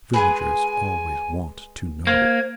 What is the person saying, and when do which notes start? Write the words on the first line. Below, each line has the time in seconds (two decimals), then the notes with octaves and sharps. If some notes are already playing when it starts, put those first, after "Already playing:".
Villagers always want to know.
0.13 G#3 G#4 B4 G#5
2.07 A#3 C5 G#6